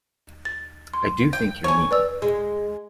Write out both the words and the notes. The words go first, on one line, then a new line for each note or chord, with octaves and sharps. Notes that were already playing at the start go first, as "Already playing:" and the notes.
I do think you’re mean.
A6
C6
G5
C#5 G#5
B4 D5 E6
G#3